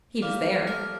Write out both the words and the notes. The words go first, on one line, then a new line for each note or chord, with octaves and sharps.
"He was there."
G3 A#3
A3
F3 A#4